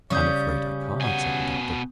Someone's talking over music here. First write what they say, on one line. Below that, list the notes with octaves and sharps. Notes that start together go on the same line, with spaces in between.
"I am afraid I can't," said the Doctor.
C#3 G3 C#4 D5 C#6 D#6 G6
B2 F#5 G#5